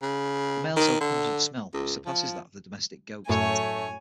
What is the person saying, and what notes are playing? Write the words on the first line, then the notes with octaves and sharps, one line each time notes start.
The males have a pungent smell, which surpasses that of the domestic goat.
C#3
D#3
D3
C#2
F3
F#2 A2 A3 C#5 G#5